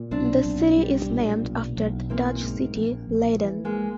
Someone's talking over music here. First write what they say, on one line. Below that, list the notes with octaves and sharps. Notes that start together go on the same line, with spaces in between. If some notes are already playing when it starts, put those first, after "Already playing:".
The city is named after the Dutch city Leiden.
Already playing: A#2
B1 C4 D4
B1
G3
A#2
B1
B1
E3 A#3 C4
G#2
A#1
A#1
E3
G#3 A#3